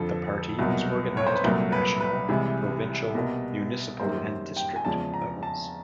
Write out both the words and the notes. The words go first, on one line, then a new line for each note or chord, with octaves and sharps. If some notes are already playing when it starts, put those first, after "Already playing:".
The party is organized on national, provincial, municipal and district levels.
Already playing: F2 D3 F3 A4
C2 B2 F#3 A#3
C#5
C5
B4
C2 A#2 F#3 A3 A#4
B4
B4
C2 C3 E3 G#3
C2 B2 G3 A#3
F#2 D#3 G3 A#3 C5
G5
G#5
E2 C#3 F3 G#3 A5
A#5
A5